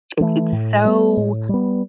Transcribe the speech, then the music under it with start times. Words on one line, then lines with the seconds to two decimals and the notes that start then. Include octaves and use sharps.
it's it's, so
0.21 E3 A3
0.53 A2
0.85 G3 B3
1.17 A2
1.49 G3 B3